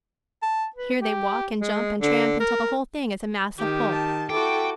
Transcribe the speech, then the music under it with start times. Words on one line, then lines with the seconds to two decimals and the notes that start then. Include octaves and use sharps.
Here they walk and jump and tramp until the whole thing is a mass of pulp.
0.42 A5
0.76 B4
1.00 G4
1.61 G#3
2.01 D3
2.41 A#4
3.58 D#3 G4
3.91 A5
4.30 E4 F#4 A4 G5 D6